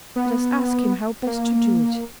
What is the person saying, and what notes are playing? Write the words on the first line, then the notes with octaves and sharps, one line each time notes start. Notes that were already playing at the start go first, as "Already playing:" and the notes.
Let us ask him how best to do it.'
B3
A#3